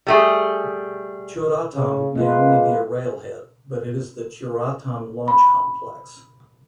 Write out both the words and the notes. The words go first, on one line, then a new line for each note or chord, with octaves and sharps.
Tyuratam may only be a railhead, but it is the Tyuratam Launch Complex.
G3 A3 G#4
C#3
G#3 A#3 F4 B4
B5